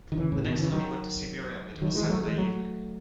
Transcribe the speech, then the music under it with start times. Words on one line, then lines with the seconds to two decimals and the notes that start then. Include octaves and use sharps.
The next time he went to see Miriam it was Saturday evening.
0.12 D#3
0.18 C#3 E3
0.32 A2 C#3
0.44 B2 D#3
0.58 C#3 E3
0.72 D#3 F#3
1.82 D#3 F#3
1.95 E3 G#3
2.09 F#3 A3
2.23 E3 G#3
2.37 F#3 A3